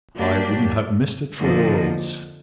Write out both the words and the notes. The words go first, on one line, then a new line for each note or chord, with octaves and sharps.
"I wouldn't have missed it for worlds."
F#3 A#3 D4 G4
F2 D3 F3 A#3 D#4